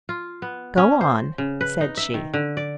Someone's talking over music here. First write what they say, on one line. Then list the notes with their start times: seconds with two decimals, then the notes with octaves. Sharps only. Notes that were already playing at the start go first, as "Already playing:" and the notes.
"Go on," said she.
0.09 F4
0.42 B3
0.77 C#4
1.01 C5
1.38 C#3
1.61 B4
1.81 D#4
1.97 E5
2.14 D#3
2.34 D3
2.57 D5